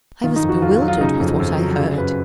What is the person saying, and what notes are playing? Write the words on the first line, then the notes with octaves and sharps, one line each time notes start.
I was bewildered with what I heard.
D#3 F4
D#4
F2
F#4
F2 F4
F4
F#3
F4
C#3 D#4
F2
F2
F#3
C#3 F4
F#2 B4